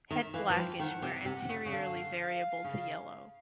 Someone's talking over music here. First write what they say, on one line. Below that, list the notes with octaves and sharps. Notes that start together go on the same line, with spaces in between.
Head blackish where anteriorly variable to yellow.
D#3 E5
E3 F5
E3
F3 G5
D#3 G5
F#5
C3
C3 G5
F#5
C#3
C#3
D3 F5
C#3